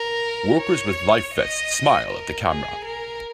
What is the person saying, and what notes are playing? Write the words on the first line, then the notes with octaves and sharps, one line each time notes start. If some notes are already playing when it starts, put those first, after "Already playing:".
Workers with life vests smile at the camera.
Already playing: A#4
C#5
D#5
A#4
G#4
A#4